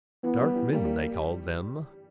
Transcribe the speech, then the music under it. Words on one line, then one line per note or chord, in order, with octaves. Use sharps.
Dark men they call them.
E3 B3
G3
E3
G3 A#3
G3